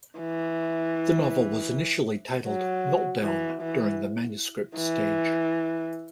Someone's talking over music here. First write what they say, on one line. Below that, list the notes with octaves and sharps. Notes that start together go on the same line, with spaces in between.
The novel was initially titled "Meltdown" during the manuscript stage.
E3
F#3
E3
E3
E3